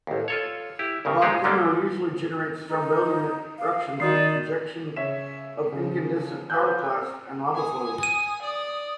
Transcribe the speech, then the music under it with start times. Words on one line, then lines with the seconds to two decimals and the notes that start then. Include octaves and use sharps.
The volcano usually generates strombolian eruptions with ejection of incandescent pyroclasts and lava flows.
0.07 A1 D#2
0.28 F4 A4 C#5
0.79 E4 G4
1.05 C2 G2 C#3
1.22 A#2 G#3 D#4 G4 G#4
1.44 G#2 D3 A3 A#3 C#4 D4
2.68 D#4
3.58 F5
4.00 D#3 F#4 D5 D#6 C7
4.96 C#3 C#5 E5 B6 E7
5.72 C#3 F3
6.50 B4 F5 G#5 E6 F#6 G6
7.55 G#5 D#6
8.03 D#7
8.42 D5 D#6